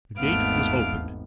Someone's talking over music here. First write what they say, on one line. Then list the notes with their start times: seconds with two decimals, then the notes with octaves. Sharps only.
The gate was opened.
0.18 G#1 E2 A3 B3 F5 F6 D7